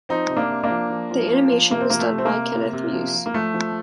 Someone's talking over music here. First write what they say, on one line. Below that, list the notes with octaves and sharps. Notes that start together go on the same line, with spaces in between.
The animation was done by Kenneth Muse.
F3 C4 D#4
C3
A#3 D4
C3
A#3 D4
F3
F3
F3
F3
F3
C3 A#3
C4
F3 A#3
A3
C3
C4
A#3
C3
C3
C3
F3
F3
A#3
F3 A3
F3